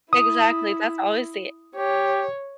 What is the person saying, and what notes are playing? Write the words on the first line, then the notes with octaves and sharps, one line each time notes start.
Exactly, that's always the
E4 D#6
G4 C#5